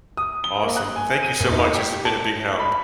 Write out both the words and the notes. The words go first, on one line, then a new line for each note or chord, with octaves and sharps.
Awesome. Thank you so much, this has been a big help.
D#6
G7
A#3
F#6
G#5
D#7
F#1
D#4
G4
A5
B5